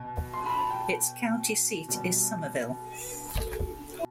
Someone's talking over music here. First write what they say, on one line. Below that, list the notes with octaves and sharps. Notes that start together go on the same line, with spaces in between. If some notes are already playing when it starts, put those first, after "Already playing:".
Its county seat is Somerville.
Already playing: B2
C6
B5
A5
G5
B2 G3